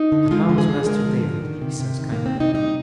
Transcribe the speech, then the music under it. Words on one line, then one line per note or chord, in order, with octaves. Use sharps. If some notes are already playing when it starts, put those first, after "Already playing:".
'And how is Master David?' he says, kindly.
Already playing: D#4
D3
G#3 F4
D3
G#4
D3
G#3 A#4
F3
D3
D#3
C3
C3
D#3
C3 A#3
C4
C3
D#4
G3 D#4